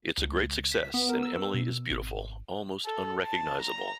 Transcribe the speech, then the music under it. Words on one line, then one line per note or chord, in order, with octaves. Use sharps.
It's a great success and Emily is beautiful, almost unrecognizable.
C#2
B6
B3
A#4
E6
B2
G#1
A4
A5
A#5